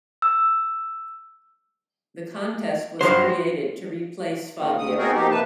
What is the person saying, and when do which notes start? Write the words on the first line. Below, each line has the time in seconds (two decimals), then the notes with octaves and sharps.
The contest was created to replace Fabio.
0.22 E6
3.01 G2 F3 F#3 C5
4.57 A#2 D#3
4.78 D2 D#6
4.98 B3 C4 D#4 F#4 G#4 A#4
5.15 F3 A#3 D#4 G4
5.31 C3 A#3 B4 A5